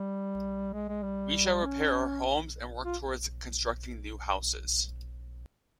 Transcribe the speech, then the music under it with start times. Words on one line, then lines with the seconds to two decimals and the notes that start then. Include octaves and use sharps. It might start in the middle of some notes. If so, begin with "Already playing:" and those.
We shall repair our homes and work towards constructing new houses.
Already playing: G3
0.73 G#3
0.89 G#3
1.03 G3
1.64 C#4
2.85 F4